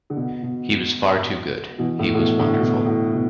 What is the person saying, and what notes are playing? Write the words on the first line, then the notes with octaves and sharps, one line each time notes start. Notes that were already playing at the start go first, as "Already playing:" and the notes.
He was far too good, he was wonderful.
D3
B2
B2
B2 E3
A2
A2
B2
A2 D3
B2
A2
B2